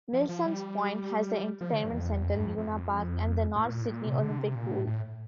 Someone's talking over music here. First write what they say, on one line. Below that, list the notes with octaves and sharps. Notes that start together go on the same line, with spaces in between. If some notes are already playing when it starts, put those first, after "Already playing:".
Milsons Point has the entertainment centre Luna Park and the North Sydney Olympic Pool.
F3
F3
G3
F3
D3
G2
E2
F2
E2
F2
G2
F2
F2
A2
A#2
A2
A#2
C3
D3
C3
A#2
A2
A2